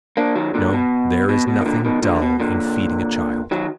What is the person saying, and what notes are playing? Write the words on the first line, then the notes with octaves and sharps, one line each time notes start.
No, there is nothing dull in feeding a child.
A#3 D4
D#3 F#3
A#2 D3
B2
B2
B2
D#3
A#2 D3
B2 D#3
A#2 D3
B2
A#2 D3
D#3 F#3